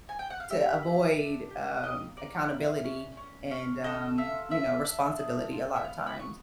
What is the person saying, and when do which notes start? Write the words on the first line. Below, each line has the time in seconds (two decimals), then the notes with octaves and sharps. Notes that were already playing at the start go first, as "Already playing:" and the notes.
to avoid, um, accountability and, um, you know, responsibility a lotta times.
0.09 G#5
0.19 G5
0.30 F#5
0.40 F5
0.50 G4 E5
0.83 D4
1.17 D4
1.50 G4
1.84 A#3 D#5
2.17 A#3 D5
2.51 E4
2.84 C#4
3.17 C#4
3.51 C#4
3.84 A4 D#5
4.18 F4 E5
4.50 D4 E5
4.84 D4
5.18 G#4
5.52 F4
5.76 E5
5.84 B3 F5
6.07 B5
6.18 B3 C#6